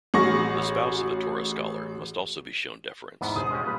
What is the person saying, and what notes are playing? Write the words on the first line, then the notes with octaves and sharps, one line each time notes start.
The spouse of a Torah scholar must also be shown deference.
A1 F#4 G#4 C#6 A#6
E2 G#2 B3
E1 G#4 C5 D#6
G#3 C#4 G4
A#2 G3 F4 B4